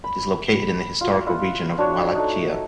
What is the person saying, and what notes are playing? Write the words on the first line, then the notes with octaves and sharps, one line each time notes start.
It is located in the historical region of Wallachia.
B5
F4 F#4
E4 F4 E5 F#5
D4 F#4 C#5
A3 D#4